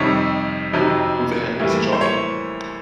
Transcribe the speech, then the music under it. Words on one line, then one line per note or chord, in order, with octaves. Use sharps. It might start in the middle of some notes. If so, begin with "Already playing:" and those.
Who the heck is Johnny?!
Already playing: F2 C3 D#3 G3 C#5
F2 C3 D#3 F#3
A2 E3 G3 A#3
C5
C#5